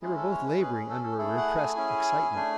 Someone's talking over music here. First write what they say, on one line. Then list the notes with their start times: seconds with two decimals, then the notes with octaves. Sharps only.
They were both laboring under a repressed excitement.
0.02 G#3 C#4 E4 G#4
0.17 A4
0.31 C#5
0.45 B4
0.60 C#4 G#4 B4
0.74 G#4
0.89 A4
1.03 A4
1.18 A3 E4 G#4 A4
1.37 F#5
1.58 G#5
1.76 C#4 E4 G#4
2.35 A3 D4 G#4